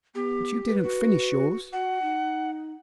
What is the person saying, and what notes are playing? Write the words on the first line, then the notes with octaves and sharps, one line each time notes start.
But you didn't finish yours.
B3 G4
B4
F#4
F#4 F#5
D#4